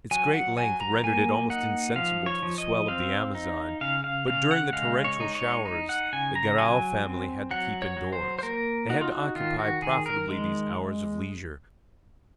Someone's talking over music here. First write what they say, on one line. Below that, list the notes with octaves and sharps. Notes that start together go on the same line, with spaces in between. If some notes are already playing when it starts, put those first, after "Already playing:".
Its great length rendered it almost insensible to the swell of the Amazon, but during the torrential showers the Garral family had to keep indoors. They had to occupy profitably these hours of leisure.
F#3 G#5
F#5
F#3 G#5
A#5
A#3 G#5
D#4 F#5
F3 F5
C#5
F3
D#5
C4 F5
D#4
C#3 F5
F5
C#3 F5
F#5
G#3 F5
C#5
D#4
C#5
D#4
F#5
C#3 G#5
A#5
F#3 G#5
C4
F#3 F#5
C#5
F#3
C5
C5
A#3 A#4
D#4 F#4
F4
F#4
D#3 F4
F#4
D#3 G#4
A#4
G#3